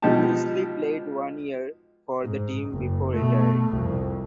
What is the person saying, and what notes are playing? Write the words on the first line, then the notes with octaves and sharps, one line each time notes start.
Presley played one year for the team before retiring.
B2 F3 G#3 D#4 G4 A5
G#2
F#1
B2 A3
C2 F2